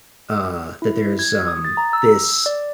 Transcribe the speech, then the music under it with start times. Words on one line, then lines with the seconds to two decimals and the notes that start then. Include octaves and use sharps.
uh, that there's, um, this
0.82 E4
1.19 G#6
1.48 D#6
1.65 A6
1.77 A#5
1.93 E6
2.46 D5